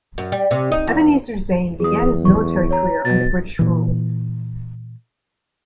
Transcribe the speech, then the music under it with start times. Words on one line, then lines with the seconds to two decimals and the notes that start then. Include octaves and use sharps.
Ebenezer Zane began his military career under British rule.
0.18 F#2
0.32 G3
0.51 C3
0.72 D#4
0.87 E2
1.80 E2 G#4 D#6
2.25 C#6
2.71 C#5 A#5
3.05 B2 A6
3.59 A#2 E3